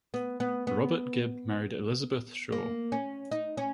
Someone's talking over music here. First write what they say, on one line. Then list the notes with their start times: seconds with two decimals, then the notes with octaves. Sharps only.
Robert Gibb married Elizabeth Schaw.
0.14 B3
0.40 B3
0.67 B3
2.52 A#3
2.92 C#4
3.31 D#4
3.57 C#4